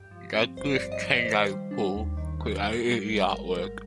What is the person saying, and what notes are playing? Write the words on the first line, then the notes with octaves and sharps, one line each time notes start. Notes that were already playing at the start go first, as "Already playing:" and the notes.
Douglas TenNapel created the artwork.
Already playing: G2 G4
F3
C4
G1 C5
D5
G2
D#5
F3
D5
D#3 C5
G3
D4
D#2
D#3
G3
G#2 A#4
G3
G#1
G#1 A#4
G#2 A#4